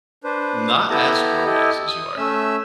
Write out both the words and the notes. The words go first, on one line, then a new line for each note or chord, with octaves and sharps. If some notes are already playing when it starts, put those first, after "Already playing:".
not as organized as you are,
D4 B4 C5
B3 E4 G4 A4 A#5
E4 G4 A4 D#5
D#6
A3 C#4 E5 E6